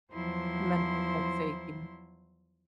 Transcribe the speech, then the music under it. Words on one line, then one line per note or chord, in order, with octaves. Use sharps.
mental health sake here.
E2 F3 F#3 E4 C5 C6